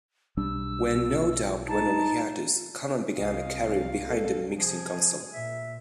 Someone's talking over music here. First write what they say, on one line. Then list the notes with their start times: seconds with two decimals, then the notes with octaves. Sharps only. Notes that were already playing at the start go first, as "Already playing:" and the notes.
When No Doubt went on hiatus, Kanal began a career behind the mixing console.
0.37 B1 G3 D4 E6
1.68 D#4 A5
3.17 C2 D#5 F5
4.07 A4
4.56 F3 G#4
5.34 A#2 E5